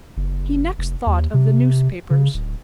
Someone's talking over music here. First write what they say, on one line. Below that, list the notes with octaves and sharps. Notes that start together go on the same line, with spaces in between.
He next thought of the newspapers.
F#1
F1
D#2
C3
C#3
D1